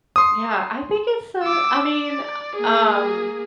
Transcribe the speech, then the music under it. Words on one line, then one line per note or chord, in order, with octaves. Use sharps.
Yeah, I think it's, uh I mean, um,
C6 D#6
D6 E6
D5
A#3 G#4